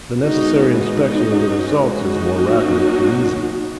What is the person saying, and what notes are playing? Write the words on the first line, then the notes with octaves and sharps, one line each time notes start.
The necessary inspection of the results is more rapid and easy.
E3 G#3 B3 D#4 F#4
D#4 F#4
E3 G#3 C#4
D#4 F#4
F#3 A#3 C#4